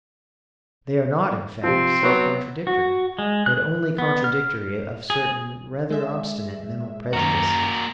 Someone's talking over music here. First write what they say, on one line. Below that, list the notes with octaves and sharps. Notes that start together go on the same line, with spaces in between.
They are not in fact self-contradictory, but only contradictory of certain rather obstinate mental prejudices.
C3 F3 C4
F#3 B3 C#6
F#4
G#3
F#6
B3
F6
G#4
G#3 E5
F#2 D#3 A#3 C#4 F#4 A#5